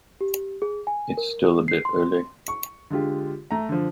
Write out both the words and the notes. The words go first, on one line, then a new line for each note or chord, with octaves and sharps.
It's still a bit early.
G4
G#4
G#5
A#4
C7
C6
C#6
D3 G#3 F4 G4
A3 A#5
D3 F3